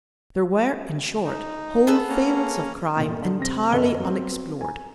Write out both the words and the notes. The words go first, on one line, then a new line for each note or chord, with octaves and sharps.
There were, in short, whole fields of crime entirely unexplored.
D#4
B3 G#4 A4
A#3 C#4 A#5
G1 A#2
D3
F1 C4 A#6
G1 F#2 A4 B4 D#5 G7
F#3 C4
G#5 A#5